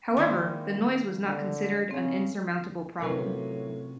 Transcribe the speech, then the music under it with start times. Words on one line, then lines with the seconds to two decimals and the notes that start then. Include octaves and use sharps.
However, the noise was not considered an insurmountable problem.
0.17 D#3 G#3 A#3 E4 C5 D5
1.25 D3
1.91 C#3 C4
3.02 A2 C3 F#3 C#4 F4 A#4 B4